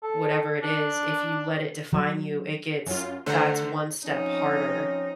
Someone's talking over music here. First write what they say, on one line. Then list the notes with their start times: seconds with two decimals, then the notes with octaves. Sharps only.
whatever it is, if you let it define you, it gets that's one step harder
0.03 A4
0.62 D4
1.93 F#3
2.87 F#2 F4
3.26 D3 A3 D4 C5 F#5 A#5
4.05 F3 C4 C#4 D#4